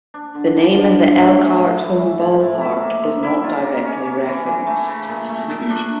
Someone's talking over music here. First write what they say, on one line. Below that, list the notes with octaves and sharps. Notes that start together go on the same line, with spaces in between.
The name of the Elkhart home ballpark is not directly referenced.
D4
D3
D3
D3
A2
F3
C#4
A2
E3
E4
A2
A2
E4
A#3
F3
E4
F4
A#3
C#4
C#4
E3
E3
A3
C#3
A#2
A3
A#2
D4